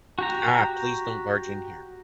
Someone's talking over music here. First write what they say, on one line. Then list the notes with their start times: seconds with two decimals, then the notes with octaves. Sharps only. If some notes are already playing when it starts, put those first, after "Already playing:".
Ah! Please, don’t barge in here! ...
0.19 F#4 G4 A#5